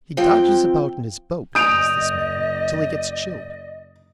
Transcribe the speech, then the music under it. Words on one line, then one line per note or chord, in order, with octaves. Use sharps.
He dodges about in his boat, does this man, till he gets chilled.
F3 C4 G5
F#1 D5 D#5 D#6 G6 D7 F7